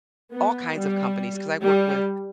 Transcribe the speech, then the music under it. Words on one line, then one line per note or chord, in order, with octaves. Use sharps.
all kinds of companies, 'cause I work with
B3
G3
G3